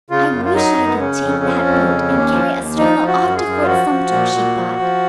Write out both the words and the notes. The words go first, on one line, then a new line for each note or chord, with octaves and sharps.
"I wish I could take that boat and carry Estralla off to Fort Sumter," she thought.
C#3 F4
F#2
F4
F#3 D#4
F#2
B3
C#3 C#4
F2
F3
F2
C#3
D#2
F3
D#2
F3 D#4
F3
F#4
F#2
G#4
F#2
F4
F3 F#4
F3
A#2
A#2
F3
F3